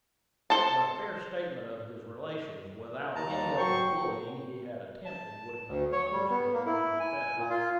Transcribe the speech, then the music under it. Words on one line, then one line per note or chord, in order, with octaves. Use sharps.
But a fair statement of his relations, without any of the bullying he had attempted, would have accomplished his wishes better.
A4 C5 A5
D#2 A5 A#5
F#3 C5 G5 C#6
A5
D2
C#5
G3
B3
A#3
E4
G#5
A#2
F4